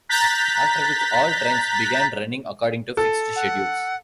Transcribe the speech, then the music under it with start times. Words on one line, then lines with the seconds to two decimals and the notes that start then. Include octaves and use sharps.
After which, all trains began running according to fixed schedules.
0.09 A#5 F#6 G6 A6 B6
2.97 A4
3.35 F#5